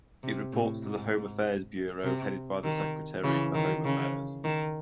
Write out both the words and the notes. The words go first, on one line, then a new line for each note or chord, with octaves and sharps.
It reports to the Home Affairs Bureau, headed by the Secretary for Home Affairs.
C3
A2
G#2
C3
D#3
C#3 E3
D#3
C#3
D#3